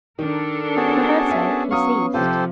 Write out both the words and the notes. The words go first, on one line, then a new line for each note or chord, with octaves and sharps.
For her sake he ceased.
D#3 D4 A4 A#4
B3 C#4 F#4 G#4 A5
E5 G#5
F#3 F5 C#6 D#6
C3 F3 F4 G4 A4 C5